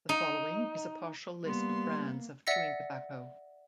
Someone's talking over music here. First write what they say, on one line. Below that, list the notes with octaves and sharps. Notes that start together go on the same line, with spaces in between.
The following is a partial list of brands of chewing tobacco.
D#4
G3 A#3 B3 C6
D5 E5 F#5 E6 A#6 C#7